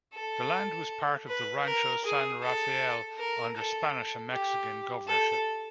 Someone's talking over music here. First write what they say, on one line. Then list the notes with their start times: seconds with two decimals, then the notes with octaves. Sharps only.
The land was part of the Rancho San Rafael under Spanish and Mexican governorship.
0.14 A4
1.28 B4
1.65 A#4
2.04 G#4
2.41 A4
3.18 A#4
3.55 A4
4.31 G4
5.07 A4